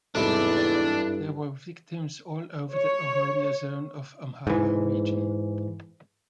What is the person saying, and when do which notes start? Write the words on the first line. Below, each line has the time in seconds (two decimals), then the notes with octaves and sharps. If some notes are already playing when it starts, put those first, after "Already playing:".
There were victims all over the Oromia Zone of Amhara region.
0.15 E2 G#2 C3 G3 D4 E4 A4
0.91 G2
2.72 C#5
4.47 G#2 E3